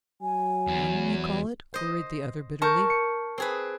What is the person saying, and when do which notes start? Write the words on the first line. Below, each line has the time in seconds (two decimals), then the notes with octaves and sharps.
"Fun, you call it?" queried the other bitterly.
0.22 F#3 G#5
0.67 E2
1.74 C5 D#5
2.62 A#4 A5 C#6 G6
2.90 C#7
3.38 C4 G#4 B4